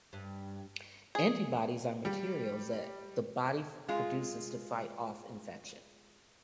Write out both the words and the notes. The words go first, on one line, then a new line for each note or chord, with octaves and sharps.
Antibodies are materials that the body produces to fight off an infection.
G2
G#4
G3
G#3 F4